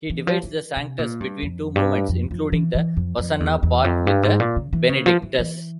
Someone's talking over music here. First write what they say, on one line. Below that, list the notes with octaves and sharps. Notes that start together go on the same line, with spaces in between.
He divides the Sanctus between two movements, including the Hosanna part with the Benedictus.
E3
F3
E3
C3
A#2
G2
F2
G2
F2
F2
E3
E3
F2
F2
E2
E2
F2
G2
G#2
A#2
C#3
E3
C#3
F3
E3
E3